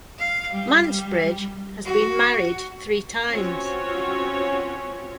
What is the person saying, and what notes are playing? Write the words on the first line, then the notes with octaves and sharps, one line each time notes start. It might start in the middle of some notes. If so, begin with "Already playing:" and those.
Mansbridge has been married three times.
F5
G3
F#4
C4 C#4 F4 F#4 C#5